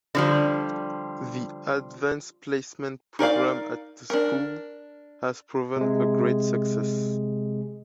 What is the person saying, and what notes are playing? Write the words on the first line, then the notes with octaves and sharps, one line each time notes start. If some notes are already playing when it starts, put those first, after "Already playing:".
The Advanced Placement program at the school has proven a great success.
D3 F3 G3
D#4 A#4 D5 F5
D4 A#4
C3 G#3